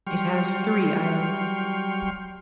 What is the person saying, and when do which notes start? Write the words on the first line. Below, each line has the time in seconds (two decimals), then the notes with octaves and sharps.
It has three islands.
0.07 F#3 G3 G5 C6 C#6 F6